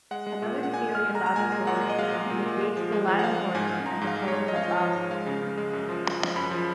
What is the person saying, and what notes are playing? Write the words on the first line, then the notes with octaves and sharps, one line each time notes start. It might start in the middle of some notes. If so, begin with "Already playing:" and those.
Another theory about is origin negates the Latin origin and proposes a Basque origin.
G#3 F#5
G#3
A#2
A#2
F#5
A#2 G#5
G#3
F6
G#3
A#5
G#3
A#5
A#2 G#5
G#3
A#2 F#5
G#3
D#5
G#3 F5
G#3
A#2
A#2
G#3
F3
G#3
F3
F#5
G#3 F5
G#3
G#2 G#5
G#2
G#2 A#5
G#2
F5
G#3
G#2 C#5
G#2 D#5
F5
F3 D#5
F3
G#2
G#3 F5
C#3
C#3
G#3
F#2
F3
F3
F3
F#2 B5
F3